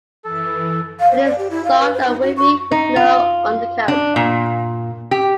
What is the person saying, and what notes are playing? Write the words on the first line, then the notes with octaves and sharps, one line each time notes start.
It is soft and wavy with no undercoat.
E3 A4
F5
C5
D5
G4
E4
F5
B4
C5
D#4
F#4
C#6
D#4
F4
D4
A#2
G4